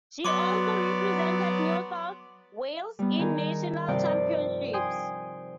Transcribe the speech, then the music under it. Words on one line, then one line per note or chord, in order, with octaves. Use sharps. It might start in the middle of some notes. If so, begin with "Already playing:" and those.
She also represented New South Wales in National Championships.
F#3 B3 D5 C6 D6
G3 B3
D#3 G#4 A#4
G2 C3 F3 F4 D5 G5
G5 G#5 C6 D#6